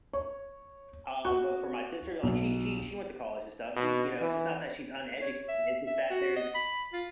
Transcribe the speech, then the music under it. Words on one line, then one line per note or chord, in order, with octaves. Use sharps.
um, but for my sister, like she she she went to college and stuff. She you know, it's not that she's uneducated, it's just that there's,
C#5
F#4
B1
B2
E3
C#5
E5
E5
F#4
D#5
B5
F4